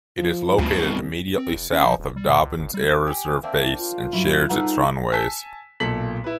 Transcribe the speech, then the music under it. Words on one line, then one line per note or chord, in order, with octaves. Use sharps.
It is located immediately south of Dobbins Air Reserve Base and shares its runways.
F3
D2 G2 B2
C2
C4
F1
C#4
F3
D#1
G3
A#2
C#2
G1
G3
G4 G#5
A#3 C4 D4 E5
F4
G2 F#3 E4
G3 A3 D#4 G#4 B4 F#5
G#5 A5 E6 B6
B1 A#2 A4 B6 F#7
E4 B4